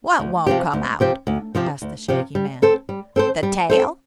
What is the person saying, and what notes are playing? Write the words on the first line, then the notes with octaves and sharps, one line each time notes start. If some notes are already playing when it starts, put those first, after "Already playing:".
"What won't come out?" asked the Shaggy Man; "the tail?"
D2
C3 F3 C4 G4
D2
C3 F3 C4 G4
D2
C3 F3 C4 G4
D2
C3 F3 C4 G4
G3
C4 A4 C5
G3
C4 A4 C5
G3
C4 A4 C5